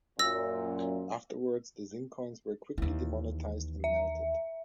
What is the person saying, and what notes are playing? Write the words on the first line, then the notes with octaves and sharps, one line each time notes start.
Afterwards, the zinc coins were quickly demonetized and melted.
F#2 A#2 E6 A#6
D#2 E3
E5